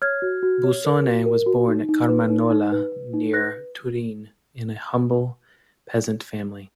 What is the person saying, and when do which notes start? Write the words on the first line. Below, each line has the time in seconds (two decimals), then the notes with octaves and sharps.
Bussone was born at Carmagnola, near Turin, in a humble peasant family.
0.02 C#5 F6 G#6
0.22 F#4
0.43 F#4
0.64 C#5
0.85 A#4
1.05 F#4
1.26 A#4
1.46 F#4
1.68 D#4
1.89 D#4
2.09 B4
2.30 D#4
2.50 D#4
2.72 B4
2.92 B4
3.14 D#4
3.34 B4 F#6 A#6